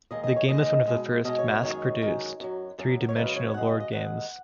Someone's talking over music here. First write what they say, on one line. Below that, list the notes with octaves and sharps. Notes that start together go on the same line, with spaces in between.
The game was one of the first mass-produced, three-dimensional board games.
D#2 D#3 G#3 D#5
D#5
C#5
D#2 D#3 G#3 D#5
B2 G#3
B2 G#3 D#5
C#5
C#5
F#2 D#3 G#3 C#5
F#2 D#3 G#3
F#2 F#3
F#2 F#3
C#5
F#2 C#3 G#3 B4
C#5
F#2 C#3 G#3 F#5
D#5
D#5
D#2 D#3 G#3 F#5